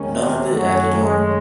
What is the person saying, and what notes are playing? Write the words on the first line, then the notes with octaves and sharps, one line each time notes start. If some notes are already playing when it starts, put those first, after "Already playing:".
None of it added up.
Already playing: D#2 D#3 G#3 C#4
C3
F#2 D#3 F#3 A3 C#4
G#3